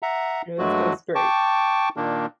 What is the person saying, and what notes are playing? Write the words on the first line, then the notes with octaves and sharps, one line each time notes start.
It was it was great.
E5 F#5 A#5
G2 F#3 G#3 A3 F#4
G5 A5 C#6 D6
A#2 D#3 A#3 D4